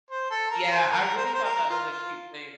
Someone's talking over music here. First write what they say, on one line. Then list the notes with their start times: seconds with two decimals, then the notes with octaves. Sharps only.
Yeah, I really thought that was a cute thing.
0.11 C5
0.31 A4
0.51 A#4
0.71 C5
0.91 A#4
1.16 C5
1.25 A#4
1.34 C5
1.44 A#4
1.69 F4
1.90 F4